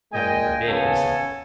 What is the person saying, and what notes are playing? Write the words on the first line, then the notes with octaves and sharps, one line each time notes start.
Heaven forbid, he said.
A#2 G#3 D#5 G5 G#5
C#3 B3 A4 G#5